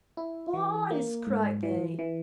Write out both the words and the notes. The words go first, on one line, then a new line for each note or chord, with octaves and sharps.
"Boys!" cried they.
E4
E3
A#3
G#2
E3
E3